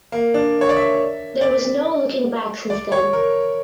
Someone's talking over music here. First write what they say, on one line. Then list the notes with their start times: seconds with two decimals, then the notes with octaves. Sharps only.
There was no looking back since then.
0.12 A#3
0.34 D4
0.61 C#5
0.69 D5
0.76 E5
1.41 D5
2.70 D5
2.92 C#5
3.13 A#4